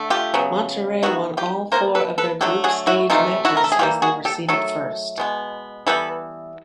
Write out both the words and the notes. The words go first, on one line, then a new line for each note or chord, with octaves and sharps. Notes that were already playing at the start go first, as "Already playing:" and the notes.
Monterrey won all four of their group stage matches as they were seeded first.
Already playing: D3 A3
F4 G4
C#3 F#3 B3
D#3 G3 B3 E4 F#4
F4 G4
B2 F#3 A#3 A#4 C5
A4 B4
A4 B4
D3 F#3 A3 G4 A4
F#4 G#4
E4 F#4
C3 E3 A3 D#4 F4
E4 F#4
A#4
A4
G#4
E3 G3 A#3 F4 G4
F#4 G#4
G4 A4
D#3 F#3 A3 A4
B2 G#3 B3
E3 G3 B3 A4 B4